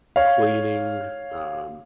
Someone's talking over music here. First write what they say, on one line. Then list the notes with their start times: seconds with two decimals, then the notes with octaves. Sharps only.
cleaning, um
0.16 C#5 F5